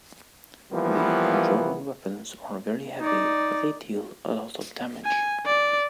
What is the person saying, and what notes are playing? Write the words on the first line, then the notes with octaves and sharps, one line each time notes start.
The Auroran weapons are very heavy but they deal a lot of damage.
E3 F3 G3 A#3 B3
D#4 D5
G#5
D5